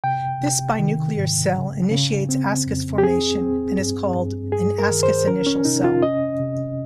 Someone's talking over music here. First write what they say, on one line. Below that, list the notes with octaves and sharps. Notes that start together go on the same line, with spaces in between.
This binuclear cell initiates ascus formation and is called an "ascus-initial" cell.
C3 G5
C3
D#3
G#2
C#3
C#3
C4
F2
G4
C4 G#4
C4
G2
G2
G2 G#4
A#4
D#3
C5
C#4 A#4
C#4
C3 D#4
F4
C#4 D#5
C3